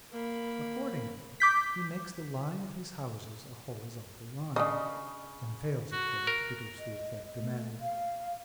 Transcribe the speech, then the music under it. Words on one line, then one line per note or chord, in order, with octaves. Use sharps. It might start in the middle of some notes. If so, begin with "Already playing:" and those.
Accordingly he makes the line of his houses a horizontal line, and fails of course to produce the effect demanded.
A#3 B5
D6 G6 B6
C#3 D4 D#5
F#4
A#4
D#5
A3
F5